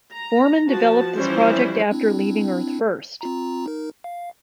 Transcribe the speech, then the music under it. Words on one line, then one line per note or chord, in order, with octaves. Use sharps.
Foreman developed this project after leaving Earth First!
A#5
F3 F#4 A5
E3 F3 G3 C#4 E4 C5
C4 D4 E4
C4 F4 A#5
D#4 A#4
F5